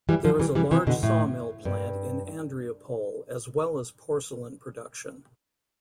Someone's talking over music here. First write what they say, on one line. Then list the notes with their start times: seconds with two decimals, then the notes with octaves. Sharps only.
There is a large saw-mill plant in Andreapol as well as porcelain production.
0.09 E3 G3
0.25 D3 F3
0.40 E3 G3
0.55 E3 G3
0.71 C3 E3
0.87 B2 D3
1.03 A2
1.65 G2